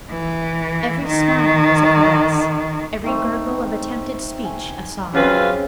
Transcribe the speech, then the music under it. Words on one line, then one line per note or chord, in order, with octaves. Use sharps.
Every smile was a caress, every gurgle of attempted speech a song.
E3
D#3
D#3 A3 C4
G#5
F#2 C#3 C4 F4 B4